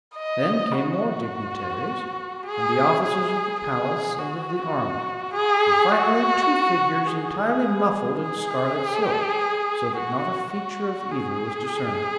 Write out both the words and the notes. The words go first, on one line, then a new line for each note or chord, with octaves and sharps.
Then came more dignitaries, and the officers of the palace and of the army, and finally two figures entirely muffled in scarlet silk, so that not a feature of either was discernible.
D#5
F#4
G#4
G#4
G#4
F#4
G#4
F#4
G#4
G#4
F#4
F#4
G#4